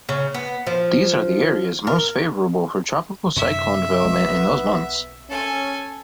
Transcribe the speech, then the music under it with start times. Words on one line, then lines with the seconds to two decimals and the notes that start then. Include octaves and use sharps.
These are the areas most favorable for tropical cyclone development in those months.
0.09 C#3
0.34 B3
0.67 F3
1.87 A#4
3.36 F#2 C3 D#3 E5
4.04 B1 G#3 B3
5.30 C#4 A4 G#5